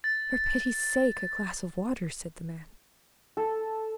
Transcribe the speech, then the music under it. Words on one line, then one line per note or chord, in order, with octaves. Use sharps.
"For pity's sake, a glass of water," said the man.
A6
A4